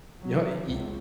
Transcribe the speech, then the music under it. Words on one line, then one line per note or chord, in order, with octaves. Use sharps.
No, e e
F#3
C#2